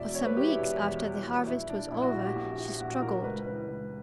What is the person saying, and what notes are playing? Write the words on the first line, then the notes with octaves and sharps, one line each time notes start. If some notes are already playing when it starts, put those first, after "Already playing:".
For some weeks after the harvest was over she struggled.
Already playing: E1 E2 B2 D5 E5
E1 C#5
B4
E2 B2 G4
E4
E1
E2 B2
E1
E2 B2
A#1 E4
A#2 D4
A#1 E4
F#4
A#2
G4
A#1
A#2
A#1 F#4
A#2 A#4
C#2 B4
C#3 E3 B4
C#2